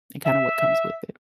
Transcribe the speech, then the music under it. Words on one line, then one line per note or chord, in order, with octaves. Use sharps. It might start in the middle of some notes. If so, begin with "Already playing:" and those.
and kinda what comes with it.
E5